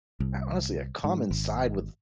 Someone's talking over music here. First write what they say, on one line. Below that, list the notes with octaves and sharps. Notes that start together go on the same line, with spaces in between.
a, honestly, a common side with
C2
G#2
G#1